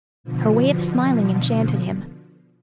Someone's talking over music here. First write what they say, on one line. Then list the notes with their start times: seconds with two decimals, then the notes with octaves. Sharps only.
Her way of smiling enchanted him.
0.24 B2 D3 F3